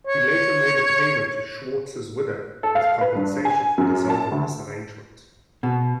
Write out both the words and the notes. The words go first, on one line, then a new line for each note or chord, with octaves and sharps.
He later made a payment to Schwartz's widow as compensation for dissolving this arrangement.
C#5
A4
F5
B4
G2
G#5
F#2
A5
D2
B2